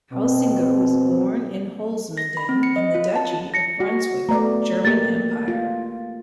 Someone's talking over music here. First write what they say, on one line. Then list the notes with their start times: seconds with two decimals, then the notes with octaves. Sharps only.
Heusinger was born in Holzminden, in the Duchy of Brunswick, German Empire.
0.13 B2 C4
2.18 A#6
2.37 B5
2.49 C4
2.63 C#7
2.76 D#5
2.95 F4
3.16 A5
3.54 A#6 C#7
3.80 F#4
4.29 A3 B3 D5 A#5
4.85 A#3 G4 A6
5.48 F4